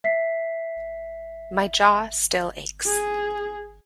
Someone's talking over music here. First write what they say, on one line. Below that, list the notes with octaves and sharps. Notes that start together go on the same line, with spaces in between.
My jaw still aches.
E5 B6 C7
G#4